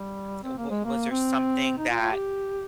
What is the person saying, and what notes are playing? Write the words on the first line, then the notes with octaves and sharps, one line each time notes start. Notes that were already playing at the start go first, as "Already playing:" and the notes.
th wa was there something that
Already playing: G3
C4
A#3
G#3
A#3
C4
D#4
F4
F4
G4